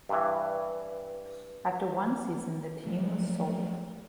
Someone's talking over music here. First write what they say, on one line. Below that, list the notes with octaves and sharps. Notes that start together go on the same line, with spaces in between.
After one season the team was sold.
G2 E3
F3 F#3 A3